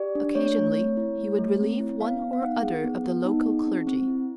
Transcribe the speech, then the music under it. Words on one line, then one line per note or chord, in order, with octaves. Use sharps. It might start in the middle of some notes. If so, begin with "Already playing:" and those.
Occasionally he would relieve one or other of the local clergy.
Already playing: G4 D5
D4
A3 C#5
A3
C4
E4
A3
A3
C4
E4
B3 F5
B3
F5
D#4 F#5
G#4
B3
B3
D#4
G#4
C4
C4
E4